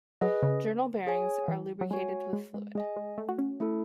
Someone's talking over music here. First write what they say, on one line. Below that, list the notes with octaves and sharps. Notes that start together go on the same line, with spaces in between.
Journal bearings are lubricated with fluid.
F#3 G#4 B4 D#5
C#3
G#4 C#5 G#5
E3
F#3
G#3 F#4 C#5 G#5
G#3
G#3
G#3 G#4 D#5 G#5
G#3
A3
F#4
C#4
A3 E4 A4